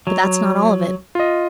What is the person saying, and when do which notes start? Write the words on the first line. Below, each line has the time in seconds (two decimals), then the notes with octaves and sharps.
But that's not all of it.
0.07 F#3
1.15 F4 D#5